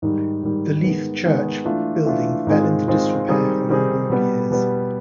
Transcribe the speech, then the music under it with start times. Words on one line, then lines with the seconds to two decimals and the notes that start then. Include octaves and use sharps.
The Leith church building fell into disrepair for a number of years.
0.02 G#2 D#3 G3
0.43 G#2 D#3 G3
0.84 D#3 G#3 B3
1.25 D#3 G#3 B3
1.65 E3 A3 D4 F4
2.06 E3 A3 D4 F4
2.47 G#2 D#3 G#3 C4 F4
2.88 G#2 D#3 G#3 C4 F4
3.28 D#3 G3 C4 D#4 G#4
3.69 D#3 G3 C4 D#4 G#4
4.10 B2 G3 B3
4.51 B2 G3 B3